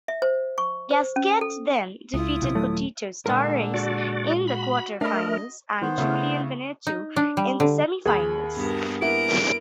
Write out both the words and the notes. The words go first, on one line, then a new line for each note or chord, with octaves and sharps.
Gasquet then defeated Potito Starace in the quarterfinals and Julien Benneteau in the semifinals.
E5
C5
C#6
C5
C#4
A4
C#2 E4 F4 D#6
B1 C3
D#1 F#3 A3
A#2 D3 G#3 A#4
F#4 D5
F#4 B5
A3 D4 A#4 D#5 B5
D#3 B3 C5
C#3 A3 E4
D#4
D4
G3
D3
D#2 G#4 B5
G2 B3 A#4
A#3 B3 E4 A#4 D7